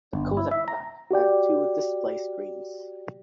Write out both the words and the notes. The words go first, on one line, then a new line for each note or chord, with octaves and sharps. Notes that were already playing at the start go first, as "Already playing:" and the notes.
The Kodak back had two display screens.
G1
E4
E5
A#5
F#4 G4 D5 G5